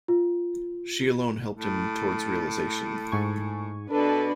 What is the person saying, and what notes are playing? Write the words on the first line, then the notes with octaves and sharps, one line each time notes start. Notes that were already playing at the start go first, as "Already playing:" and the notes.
She alone helped him towards realisation.
F4
A2
G#2 G#5 C#6
B2 D4 A4 B4